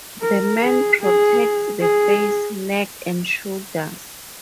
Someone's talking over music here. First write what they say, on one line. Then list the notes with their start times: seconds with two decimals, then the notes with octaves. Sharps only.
The "men" protects the face, neck, and shoulders.
0.22 A#4
0.62 G#4
1.02 G#4
1.80 G#4